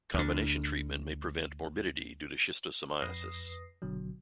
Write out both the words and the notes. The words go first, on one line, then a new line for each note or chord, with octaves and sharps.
Combination treatment may prevent morbidity due to schistosomiasis.
D2 D3
F2 B4 D#6 A#6 C7
G1 B2 D3 F#3